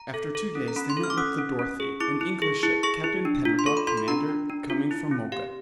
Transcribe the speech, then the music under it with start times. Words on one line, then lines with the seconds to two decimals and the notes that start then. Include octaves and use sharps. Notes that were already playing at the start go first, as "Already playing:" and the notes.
After two days they met with the Dorothy, an English ship, Captain Penruddock, commander, coming from Mocha.
Already playing: A#5
0.14 A4
0.35 A4
0.55 C#4
0.68 A#5
0.76 C#4 B5
0.90 C6
0.97 A4
1.03 F6
1.10 D6
1.18 C#4 D#6
1.39 C#4
1.59 C#4
1.80 G#4
2.00 E4 D6
2.21 E4
2.42 G#4
2.63 E4
2.83 G#4 C#6
3.04 E4
3.25 D4
3.45 F4
3.59 C6
3.66 A4 C#6
3.77 B5
3.87 F4 C6
3.97 B5
4.08 D4 A#5
4.28 D4
4.50 D4
4.70 F4
4.91 E4
5.11 C4
5.32 G4 F5